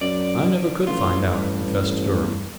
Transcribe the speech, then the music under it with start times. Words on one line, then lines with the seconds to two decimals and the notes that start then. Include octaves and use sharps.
"I never could find out," confessed Durham.
0.01 F#2 D5
0.87 A1 F4
1.33 G2